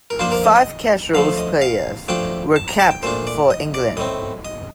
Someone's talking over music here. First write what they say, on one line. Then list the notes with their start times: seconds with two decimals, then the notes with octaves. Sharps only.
Five Casuals players were capped for England.
0.10 A#4
0.19 F3 A#3 D4 F4 C5
0.32 A#4
0.44 D#5
0.56 D#5
1.14 D3 F3 A3 F5
1.38 D#5
1.61 F5
2.08 F3 A3 D4 F4 G5
2.56 A5
2.68 A#5
2.80 A5
2.91 G5
3.03 A#2 A3 D4 F4 C5
3.27 D5
3.50 D#5
3.74 D5
3.97 A2 A3 C4 D#5
4.45 D#5